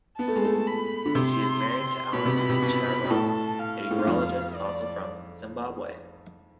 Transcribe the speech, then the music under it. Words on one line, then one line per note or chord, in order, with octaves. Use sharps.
She is married to Allen Chiura, a urologist, also from Zimbabwe.
B3 A5
A3
G#3
A3
B5
D3
C3 C6
B2 B5
C3
B2
C3
B2
B2
A2 A5
F5
A2
G#2
F2
D5